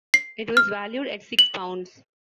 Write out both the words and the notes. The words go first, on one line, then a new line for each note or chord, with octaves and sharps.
It was valued at six pounds.
C7
F6
F#7